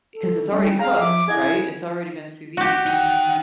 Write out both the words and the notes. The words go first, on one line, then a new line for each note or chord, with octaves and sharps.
'cause it's already cooked, right? It's already been sous vide,
A4
G3 C#4 D4
G#4 F5 A#5
F3 E5 D6
E4 G#4 D#5 F#5 G#6
F#4 G4 F#5
D#4 G5